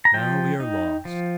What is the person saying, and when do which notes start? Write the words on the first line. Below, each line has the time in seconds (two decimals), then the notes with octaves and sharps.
"Now we are lost."
0.05 A#5
0.14 F3 G5
0.60 D#4
1.05 F3